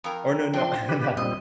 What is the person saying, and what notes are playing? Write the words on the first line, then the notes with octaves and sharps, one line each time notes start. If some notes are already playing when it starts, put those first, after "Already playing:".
Or, no, no, no,
F2 A#4
F3 C4 D4 C6
G4 B4
A#2 G3 C4 D#5